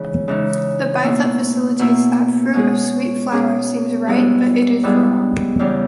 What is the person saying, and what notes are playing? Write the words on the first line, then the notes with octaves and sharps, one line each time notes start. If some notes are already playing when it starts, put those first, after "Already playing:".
The bite that facilitates that fruit of sweet flour seems right, but it is wrong.
Already playing: C#3 E3 G#3 D#4
C#3 E3 G#3 D#4
B2 A#3 E4
B2 A#3 E4
B2 G#3 C#4 G#4
B2 G#3 C#4 G#4
G#2 G3 B3 E4 G#4
G#2 G3 B3 E4 G#4
E2 C#3 G3